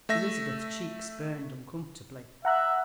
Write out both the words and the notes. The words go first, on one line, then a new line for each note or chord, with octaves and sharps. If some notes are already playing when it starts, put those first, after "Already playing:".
Elizabeth's cheeks burned uncomfortably.
A3 E5 A#6
E5 F#5 A#5 F#6